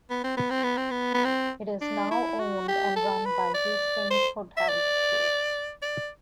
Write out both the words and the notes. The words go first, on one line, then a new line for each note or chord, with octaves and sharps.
It is now owned and run by the Hastings Hotels Group.
B3
C4
B3
C4
B3
C4
B3
B3
C4
D4
E4
F#4
G4
A4
B4
D5
C5
E5
D5
D5